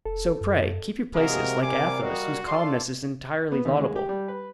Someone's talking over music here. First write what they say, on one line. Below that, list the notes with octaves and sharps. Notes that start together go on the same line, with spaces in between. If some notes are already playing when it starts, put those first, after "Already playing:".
So pray keep your places, like Athos, whose calmness is entirely laudable.
F1 A4
F#2
C3 G#3 A#3 F#4 G#4 A#4
G3 A#3 F5 G#5 D6
F#4 D#5
F4 A4 D5 A5 C6
B3
D#2
G#3
G4
G3
B4